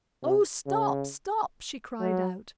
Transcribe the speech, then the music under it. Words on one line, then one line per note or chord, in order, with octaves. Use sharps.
"Oh, stop, stop!" she cried out.
C3
C#3
F#3